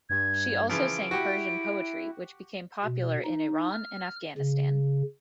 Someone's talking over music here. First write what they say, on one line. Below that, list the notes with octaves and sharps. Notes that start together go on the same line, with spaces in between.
She also sang Persian poetry, which became popular in Iran and Afghanistan.
G2 G#6
C#3 E3 F3 D7
E4 F#4 G4
B2
D#4
F6
C#3